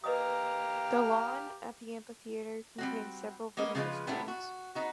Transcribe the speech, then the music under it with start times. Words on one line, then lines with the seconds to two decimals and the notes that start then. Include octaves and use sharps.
The lawn at the amphitheater contains several video screens.
0.04 G4 B4 D#5 F5 A#5 D#6
2.78 G3 C4 F#4
3.57 A#3 B3 C#4 D#5
3.75 C#3 F3 G3 G#3 F4 B4
4.07 A#2 G3 B3 C#4 D4 E4
4.28 F#4
4.75 B3 D#4 F#4